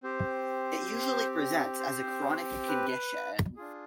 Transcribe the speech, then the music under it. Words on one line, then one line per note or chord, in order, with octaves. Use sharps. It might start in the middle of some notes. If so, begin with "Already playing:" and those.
It usually presents as a chronic condition.
C4 G4 C5
C5
B4
D4 F4 G#4